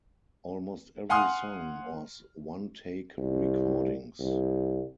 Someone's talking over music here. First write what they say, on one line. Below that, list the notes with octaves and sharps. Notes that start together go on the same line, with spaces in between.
Almost every song was one-take recordings.
F5 F#5 G#5 C6 D#6 F6
C2
C2